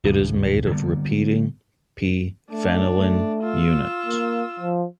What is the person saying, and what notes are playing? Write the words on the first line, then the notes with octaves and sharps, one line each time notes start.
It is made of repeating "p"-phenylene units.
D#1 C#2 F#2
D3 G3 A#3 B3
A3 D4
A3
F4 E6
A#3
F3